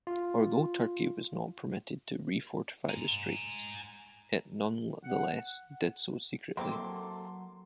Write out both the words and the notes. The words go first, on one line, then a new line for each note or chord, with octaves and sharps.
Although Turkey was not permitted to refortify the Straits, it nonetheless did so secretly.
F4
G#5 A#5
F#5
F#3 A#3 C4 E4 A4 C6 D6